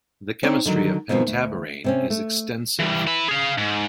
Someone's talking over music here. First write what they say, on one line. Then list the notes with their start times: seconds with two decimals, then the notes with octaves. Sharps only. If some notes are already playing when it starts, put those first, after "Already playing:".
The chemistry of pentaborane is extensive.
0.43 C4 D#4 C#5 D5
0.66 D3 D#3 F#3
1.09 B2 D#3 F3 C4 D#4
1.27 D2
1.84 C3 C4 C#4
2.10 A3
2.79 E3 G3
3.07 E4 B4
3.28 G#4 F5
3.58 G#2